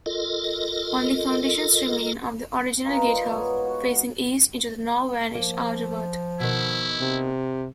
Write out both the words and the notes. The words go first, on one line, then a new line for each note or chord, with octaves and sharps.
Only foundations remain of the original gatehouse, facing east into the now-vanished outer ward.
F4 A4 A#4 D#5
D#4 F4 A#4 B4
G3
G#2 B3 C#5 D#5
F#4
F3 A#3
B2 D#3 E4
C3